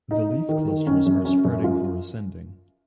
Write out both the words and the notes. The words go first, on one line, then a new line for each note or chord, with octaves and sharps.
The leaf clusters are spreading or ascending.
D#4
D#4
D#3
D#3
C#4
F#2
C#4
F#2
F4